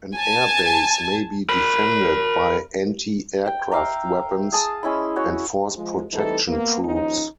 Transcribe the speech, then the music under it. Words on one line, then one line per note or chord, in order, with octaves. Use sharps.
An air base may be defended by anti-aircraft weapons and force protection troops.
G#5 A5
A#4 B5
G5
E5 F5 A#5
G#4 A5 D#6
G#3 C#4 E4 B5
F#4 C#5
F3 G#3
E3 G3 A3 C4 D#4 A4
A#3 B3
D#2 F3 C#4 D#4